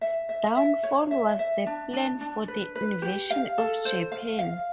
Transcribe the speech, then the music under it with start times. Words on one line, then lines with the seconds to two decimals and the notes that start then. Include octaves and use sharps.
Downfall was the plan for the invasion of Japan.
0.01 E5
0.29 E5
0.57 E5
0.83 C#5
1.11 E5
1.39 E5
1.66 D4
1.93 D4
2.21 D4
2.48 B4
2.76 B4
3.02 G4
3.30 F5
3.58 A4
3.85 C5
4.12 F5
4.39 F5